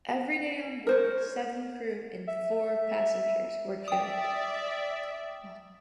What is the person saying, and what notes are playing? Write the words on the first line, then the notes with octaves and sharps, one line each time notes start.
Everybody on board, seven crew and four passengers, were killed.
A#4 C5 C#5
E5
D5 E5 G5 D#6